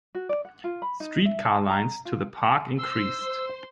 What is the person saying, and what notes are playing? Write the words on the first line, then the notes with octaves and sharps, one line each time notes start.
Street car lines to the park increased.
F#4
D5
F#5
F4
B5
D#4
E5
A5
A#5
F4
C5 C6 E6